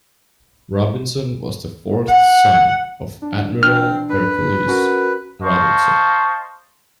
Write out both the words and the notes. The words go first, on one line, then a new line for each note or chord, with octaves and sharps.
Robinson was the fourth son of Admiral Hercules Robinson.
F#5
D4
E3 C4 D4 F6
D4 B4
C#4 F#4 A#4
C5 D#5 F5 A5 C#6